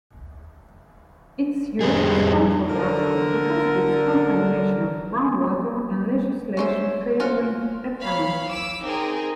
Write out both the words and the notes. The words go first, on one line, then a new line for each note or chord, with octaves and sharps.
Its use is controversial because of its contamination of groundwater and legislation favoring ethanol.
F2 G3 G#4
D3 A#4
C#4 C5 C#5 E5
C#4 F4 F#4 C5
C#5 F5 B5
D6 E6
C4 D#4 G#4 A#4